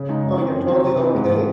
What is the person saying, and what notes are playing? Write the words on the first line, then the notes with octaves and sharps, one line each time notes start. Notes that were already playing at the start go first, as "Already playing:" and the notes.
Oh, you're totally okay.
Already playing: C#3
G#3 D#4
F#2
E3 C4
F#2
D#3 F#3 C4
C3
E3 C4 D#4
G#2
D#3 A3 C4